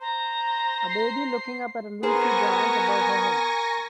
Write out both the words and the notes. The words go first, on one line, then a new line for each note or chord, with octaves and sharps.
A baby looking up at a leafy branch above her head.
C5 A#5
C7
B3 G#4 A#4 C5 G#5 C#6 A#6